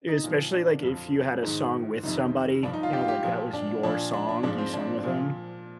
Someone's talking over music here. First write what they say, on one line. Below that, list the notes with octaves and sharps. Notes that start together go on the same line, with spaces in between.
Especially, like, if you had a song with somebody, you know, like, that was your song, you sung with them,
D#4
A#2 F3
D4
F2 D3 F3
G#2 D#3 D#4
F2 C3 D#3 D#4
G2 F3 D4
D#4
F4
G4
F4
G4
A#2 F3
D4
A#2 F3 D4
D4
D4
G#2 F3 D4
C4
D4
A#2 F3